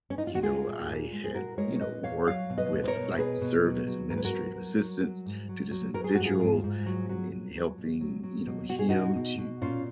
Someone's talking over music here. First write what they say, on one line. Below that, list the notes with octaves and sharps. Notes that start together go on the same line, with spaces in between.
you know, I had, you know, worked with like, served as administrative assistant to this individual and and helping, you know, him to,
C#4
D#4
F4
F#4
G#3 F4 G#4
A#2
A#2
G#3
G#4
A#2 F#4 A#4
G#3 A#4 C#5
C#5
A#2 B4 D#5
A#2 C#5 F5
F#3 C#5 F5
B2
B4 D#5
B2
B4
A#4 C#5
B2
B2 G#4 B4
B2
F#3
F#3
G#2 A#4
B4
F#4 A#4
F#3
F#3
F#3
F#3
G#2
F#3
F#3
F#3 A#4
G#4
G#2 F#4
F4 G#4
G#2
G#2
F#3
F#3
F#3
F#3
B2
F#3
F#3
B2
B2 F#4
G#4
B2 D#4 F#4
B2
B2
A#2 C#4 F4